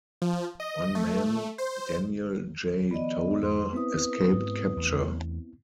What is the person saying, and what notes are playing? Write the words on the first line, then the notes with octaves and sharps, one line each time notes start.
One man, Daniel J. Toler, escaped capture.
F3
D#5
A3
C5
D#3 F3 B3 D5 D#5
F2 C6
B3 C4 E4 B4 D#6
G#2
E2 A3